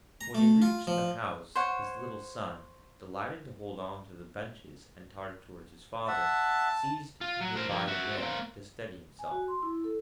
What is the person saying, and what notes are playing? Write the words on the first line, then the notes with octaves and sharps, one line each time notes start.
When he reached the house his little son, delighted to hold on to the benches and totter towards his father, seized him by the leg to steady himself.
A#5
A3
F4
F3
C5 C#5 F#5
E5 F#5 A5
F4
F#3
A#4 C5
F3 A#3
F#4 E5
A#3 C4
G#5
F#4
C6
E4
A4